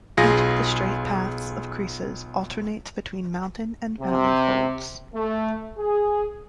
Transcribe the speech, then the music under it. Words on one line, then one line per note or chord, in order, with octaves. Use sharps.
Each of the straight paths of creases alternates between mountain and valley folds.
B1 F4 G#4 A#6
C3
A3
G#4